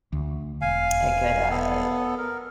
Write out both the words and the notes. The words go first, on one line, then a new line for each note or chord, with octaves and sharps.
a good, uh,
D2
E1 F5 G#5
B3 A4
A#4